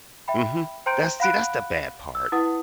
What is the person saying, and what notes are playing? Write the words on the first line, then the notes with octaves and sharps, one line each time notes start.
Mhm, that's see, that's the bad part.
E5 G5 B5
C5 G5 A#5 C6 G6 D7
F5 F#5 B5 F#6 D7
E6
E4 B4 F#5 D#6